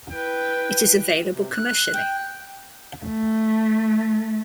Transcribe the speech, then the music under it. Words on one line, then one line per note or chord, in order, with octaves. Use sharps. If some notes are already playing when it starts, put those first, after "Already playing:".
It is available commercially.
E4 B4 G5
C3
F#6
F#6
G5
A3